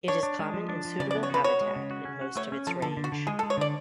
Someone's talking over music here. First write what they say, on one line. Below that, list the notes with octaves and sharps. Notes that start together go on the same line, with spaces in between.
It is common in suitable habitat in most of its range.
D4 C#5
D4
G#3
F3
D4
F3
C#3 D5
D5
B3
C#5
F#4 B4
F#4 C#5
G#3
C#3
F#4
C#4
F#4
A3 C#5
C#4
F3 A4
D3 A4
D3
F#4
D3
G#3 G#4
A4
G#3
C#5
D3 D5